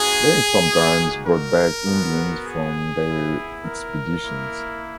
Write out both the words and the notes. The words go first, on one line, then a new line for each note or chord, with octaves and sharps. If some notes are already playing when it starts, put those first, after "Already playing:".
They sometimes brought back Indians from their expeditions.
Already playing: B3 D#4 F#4 G#4
A#3 D#4 F#4
A#4
B3 F#4
G#4
B3
E4
A#4
A#3 E4